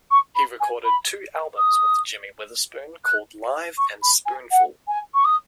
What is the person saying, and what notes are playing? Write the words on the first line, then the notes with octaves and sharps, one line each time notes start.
He recorded two albums with Jimmy Witherspoon called "Live" and "Spoonful".
C#6
B5
G#5
B5
D#6
F#6
C#6
B5
G#5
F#5
G#5
C#6
D#6